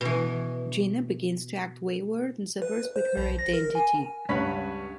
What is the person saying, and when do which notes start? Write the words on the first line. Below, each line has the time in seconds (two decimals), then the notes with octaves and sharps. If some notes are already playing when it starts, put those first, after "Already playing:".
Gina begins to act wayward and suffers with her identity.
0.01 B2 E3
2.62 B4
2.96 C5
3.17 A#1
3.39 A#6
3.53 A#4
3.75 G#5
4.29 C#2 G2 B4 C#5 F#5 B6